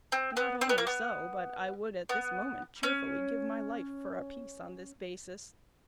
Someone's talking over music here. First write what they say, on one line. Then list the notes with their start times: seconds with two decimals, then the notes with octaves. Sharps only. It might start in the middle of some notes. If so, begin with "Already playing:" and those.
Not only so, but I would at this moment cheerfully give my life for a peace on this basis.
0.12 C4
0.37 B3
0.61 C4
0.69 B3
0.78 A#3
0.87 B3
2.09 B3
2.83 C#4